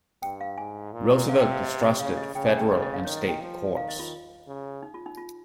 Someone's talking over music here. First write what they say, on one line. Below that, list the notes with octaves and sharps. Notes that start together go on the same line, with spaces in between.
Roosevelt distrusted federal and state courts.
G2 G5
F5
G#2 G#5
A#2
C3 F5
G5
F5
D#5
D#5
C#3 F5
D#5
C#3 G5
G#5
G5
C#3 D#5
D#5
F5
D#3 C#5
D#5
G5
F3
D#3 F5
D#5
F4
C#3
D#4
F4
D#4
F4